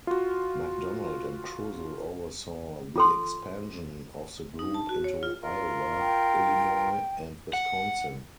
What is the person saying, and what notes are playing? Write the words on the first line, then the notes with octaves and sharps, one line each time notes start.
McDonald and Kruzel oversaw the expansion of the group into Iowa, Illinois, and Wisconsin.
F4 F#4
F4 A4 C6
D#4
A5
F#4
C#5
F4
F4 A#4
G5
F#5